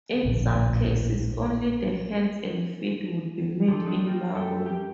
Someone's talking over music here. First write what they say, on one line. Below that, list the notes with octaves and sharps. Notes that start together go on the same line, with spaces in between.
In some cases, only the hands and feet would be made in marble.
D1 A#1 A#2 C#3
F3 D4 A4
F3 G3 A3 C4 D4 D#4
G3 A#3 F4 G4
F#2 A4 E5 G5
G3 G4